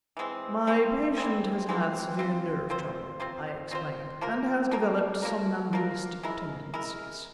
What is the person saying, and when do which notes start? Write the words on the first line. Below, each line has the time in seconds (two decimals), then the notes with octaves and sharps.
"My patient has had severe nerve trouble," I explained, "and has developed somnambulistic tendencies."
0.17 E3 G#3 C4
0.67 E3 G#3 C4
1.18 E3 G#3 C4
1.69 E3 G#3 C4
2.19 C4 F4 C5
2.70 C4 F4 C5
3.20 C4 F4 C5
3.71 C4 F4 C5
4.21 F3 A#3 F4 A#4
4.71 F3 A#3 F4 A#4
5.22 F3 A#3 F4 A#4
5.73 F3 A#3 F4 A#4
6.23 G#3 E4 A#4
6.74 G#3 E4 A#4